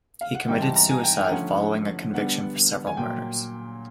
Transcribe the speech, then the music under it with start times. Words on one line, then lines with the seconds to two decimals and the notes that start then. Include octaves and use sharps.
He committed suicide following a conviction for several murders.
0.21 F5
0.35 F#5
0.48 G#2 E3 G3 C4 D#4 G5
0.62 A5
0.76 A#5
0.90 G#5
1.03 G5
1.18 G5
1.31 D3 F3 A3 C#4 F#5
2.14 D3 G3 B3 D4 F#5
2.87 G#5
2.97 A#2 F#3 A#3 G5